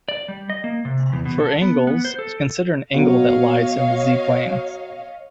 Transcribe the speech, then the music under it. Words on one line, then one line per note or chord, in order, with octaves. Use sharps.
For angles, consider an angle that lies in the z-plane.
D5
G3
D#5
A#3
C3
E2
B2
A4
B3
B3
C5
A4
B2 F#3 C#5 D#5 F5